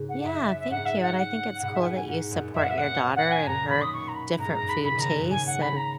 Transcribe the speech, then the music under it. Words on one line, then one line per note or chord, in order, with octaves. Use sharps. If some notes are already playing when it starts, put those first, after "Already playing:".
Yeah, thank you, and I think it's cool that you support your daughter and her different food tastes, and
Already playing: G#2 C#3
F#5
F#2 E5
E5
G#2 F#5
E5
F#5
F#5
G#2 B2 F#5
E5
G#5
F#5
G#5
G#2 F#5
F#2 A#2
F#2 A#2 E5
F#5
E5
F#5
F#5
G#5
F#2 A#2 A#5
B2 D#3 B5
D#6
C#6
A#5
B5
G#2 B2 A#5
A#5
F#2 A#2
B5
A#2 C#3 B5
B2 D#3 A#5
A#2 C#3
F#2 A#2
G#2 G#5
F#5
B5
A#5